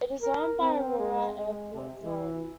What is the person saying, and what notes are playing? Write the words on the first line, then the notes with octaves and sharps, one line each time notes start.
It is owned by Aurora Airport Authority.
A#4
C4
G#3
G#3
C3
E3